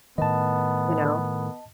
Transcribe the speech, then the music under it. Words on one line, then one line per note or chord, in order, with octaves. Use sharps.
You know?
A2 D#3 B3 D#5 A5